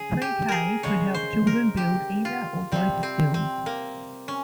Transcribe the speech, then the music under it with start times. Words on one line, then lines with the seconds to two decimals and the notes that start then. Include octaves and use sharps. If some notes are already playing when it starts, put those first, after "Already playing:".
Pre-K could help children build either or both skills.
Already playing: C#3 G#4
0.22 G4
0.48 G#4 A#4
0.83 C#3 G#3 C#5
1.14 C5
1.47 A#4
1.77 G4
2.25 F4
2.72 C3 G3 C4
3.03 C4
3.34 C4
3.66 A#3
4.28 C#4